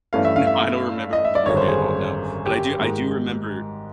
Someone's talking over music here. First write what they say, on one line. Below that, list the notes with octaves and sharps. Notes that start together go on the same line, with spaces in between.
No. I don't remember the movie at all, no. But, I do I do remember
G2 E3 A3 C#4 F5
E5
F5
E5
D#5
E5
D5
G#1 F#2 D3 G3 C#5
C5
G#4
G4
G#2 D#3 G#3